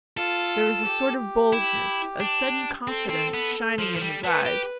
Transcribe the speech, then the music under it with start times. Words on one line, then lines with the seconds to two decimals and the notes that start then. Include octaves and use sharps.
There was a sort of boldness, a sudden confidence shining in his eyes.
0.17 F4 A4
0.85 G4
1.53 E4
2.20 D4
2.88 C4 A4
3.10 C4
3.34 B3
3.79 F3
3.96 F3
4.01 G3
4.24 A3 B4
4.46 G4